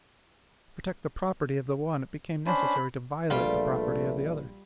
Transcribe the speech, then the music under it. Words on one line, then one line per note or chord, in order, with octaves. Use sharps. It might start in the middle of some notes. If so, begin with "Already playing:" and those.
To protect the property of the one, it became necessary to violate the property of the other.
C#4 D4 C5 B5
A#1 G3 A3 F4 B4 D5 E5